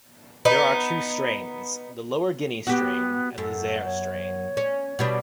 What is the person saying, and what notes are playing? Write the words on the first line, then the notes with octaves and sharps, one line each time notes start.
There are two strains: the Lower Guinea strain and the Zaire strain.
B3 D#4
B3 F#4 G4
F#2 A4
C#5
C#4
B2 G3 D4